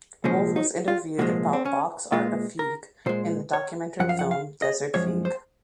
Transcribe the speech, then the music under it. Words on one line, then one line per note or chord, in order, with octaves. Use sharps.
Wolff was interviewed about Bach's Art of Fugue in the documentary film Desert Fugue.
C2 A#2 F3 G#3 C#4
D#4
F4
C2 A#2 F3 G#3 F#4
C4
C#4
A#2 G#3 F4
A#4
A#2 G#3 C5
C#5
F#2 F3 F#5
F5
F#5
F5
D#5
F#2 F3 G#3 C#5
C5